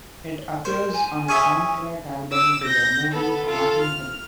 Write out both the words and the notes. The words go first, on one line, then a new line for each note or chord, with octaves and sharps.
It appears on the soundtrack album to the movie Notting Hill.
A#4 C5
G#5
C#4 G#4 E5
D6 E6
G6 A#6
B3 A4
F4 A4
F6